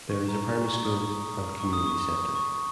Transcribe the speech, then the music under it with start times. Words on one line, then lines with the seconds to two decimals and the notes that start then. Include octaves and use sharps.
There is a primary school, and Community Centre.
0.10 C#6
0.28 A#5
0.47 A#5
0.66 C#6
0.85 D#6
1.60 C#6
1.73 D#6
1.87 C#6
2.35 C#6